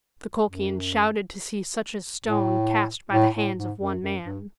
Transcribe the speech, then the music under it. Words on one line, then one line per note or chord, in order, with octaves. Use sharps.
The Colchians shouted to see such a stone cast by the hands of one man.
F#2
A2
A2
A2
G#2
F#2
F#2
G2